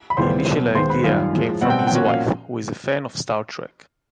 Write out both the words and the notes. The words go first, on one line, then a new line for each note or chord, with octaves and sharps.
The initial idea came from his wife, who is a fan of "Star Trek".
B5
D#2 C#3 E3 G3 B3 C5 C6
B2 F#3 B3
D#2 D#3 G#3 B3 C5 C6
B4 B5
F#2 D#3 G3 F4 F5
A2 F3 G#3
B2 G3 C4 F#5
G5
F#5
G5
A#2 F3 A#3 C#4 F#4 F#5
F5